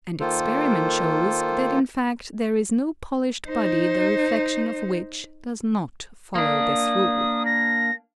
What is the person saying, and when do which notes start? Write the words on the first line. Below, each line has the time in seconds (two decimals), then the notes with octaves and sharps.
And experiment shows that in fact there is no polished body the reflexion of which does not follow this rule.
0.20 D#3 A#3 F4 A4 C5
3.49 D#4 C5
6.35 A#3 D4 D#6
7.46 A#6